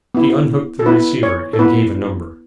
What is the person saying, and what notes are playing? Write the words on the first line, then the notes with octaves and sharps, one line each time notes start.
She unhooked the receiver, and gave a number.
B3 E4
A4
B3 E4 B4
C#5
A4
B3 E4 B4